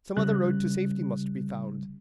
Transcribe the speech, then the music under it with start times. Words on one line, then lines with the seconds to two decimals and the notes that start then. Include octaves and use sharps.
Some other road to safety must be found!
0.17 C#3 G3 F#6